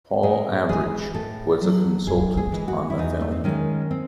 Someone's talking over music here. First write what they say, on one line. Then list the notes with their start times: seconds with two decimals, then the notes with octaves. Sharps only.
Paul Avrich was a consultant on the film.
0.23 A2 G#4
0.69 E3 G#3 G#4
1.14 A2 A4
1.61 F#3
2.07 F#2 G#4
2.37 G#4
2.52 E3 G#3
2.68 F#4
2.90 E4
2.98 E2 D#4
3.21 A3
3.32 C4
3.44 D#3 G#3 C#4
3.91 C4